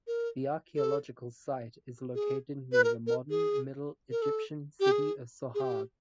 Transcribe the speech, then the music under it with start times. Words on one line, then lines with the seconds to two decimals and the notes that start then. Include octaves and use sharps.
The archaeological site is located near the modern Middle Egyptian city of Sohag.
0.07 A#4
0.76 A4
2.15 G#4
2.72 B4
2.84 A#4
3.07 A#4
3.30 G#4
4.11 A#4
4.22 A4
4.80 G4
4.92 G#4
5.55 G#4
5.61 G4